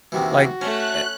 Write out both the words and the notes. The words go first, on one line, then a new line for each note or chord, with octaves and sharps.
like, a
D#2 C3 E3 F#4
A3 C#4 F#6